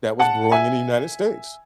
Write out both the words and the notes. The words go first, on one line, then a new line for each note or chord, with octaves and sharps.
that was brewing in the United States.
F#5 A5
E5 G#5